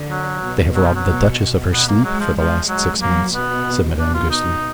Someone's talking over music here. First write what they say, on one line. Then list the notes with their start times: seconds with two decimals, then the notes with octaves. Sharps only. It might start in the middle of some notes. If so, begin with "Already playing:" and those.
"They have robbed the Duchess of her sleep for the last six months," said Madame Goesler.
Already playing: D3
0.10 F#3
0.43 B2
0.75 F#3
0.86 F3
0.95 F#3
1.08 B2
1.72 B2 B3
1.88 A#3
2.04 F#3 G#3
2.20 F3
2.37 F3 G#3
2.68 F#3
3.01 F#3 A#3
3.33 B2 B3
3.98 B2 D4
4.14 F4
4.30 D#4